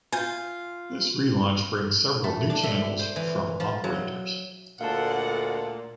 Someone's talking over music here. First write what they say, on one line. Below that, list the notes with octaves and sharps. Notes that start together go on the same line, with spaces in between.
This relaunch brings several new channels from operators.
F4 G#5 G6
A3
D4
E5
C5
E3
F3
F#3
D2 A#2 G#3 A4 F5 F#5 A5